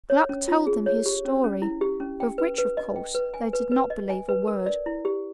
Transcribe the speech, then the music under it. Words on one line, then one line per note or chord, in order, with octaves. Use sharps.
Gluck told them his story, of which, of course, they did not believe a word.
C#5
C#4
F4
G#4
C#5
G4
C#4
C#4
E4
G4
C#4
G5
B4
B4
D#5
G5
B4
G#5
B4
B4
D#5
G#5
B4
A#4
D5
E4
G4